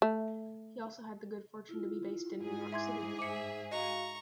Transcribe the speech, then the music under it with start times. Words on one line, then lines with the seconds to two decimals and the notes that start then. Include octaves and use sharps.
He also had the good fortune to be based in New York City.
0.02 A3
1.69 E4 F4
2.42 G#2 G#4
2.73 E4 E5 C6 D6 G#6
3.19 C5 E5 D6 C#7
3.72 F#4 D#5 F5 A#5 C#6